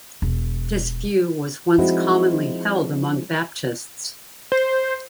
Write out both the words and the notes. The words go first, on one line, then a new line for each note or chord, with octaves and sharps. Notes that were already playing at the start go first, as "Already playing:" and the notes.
This view was once commonly held among Baptists.
E1
F3 G#3 C4 D#4 E4 F#4
C5